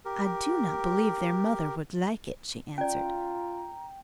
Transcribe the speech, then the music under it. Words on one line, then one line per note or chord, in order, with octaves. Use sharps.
"I do not believe their mother would like it," she answered.
G4 A#4
C#4 F4 D5 G5 A#5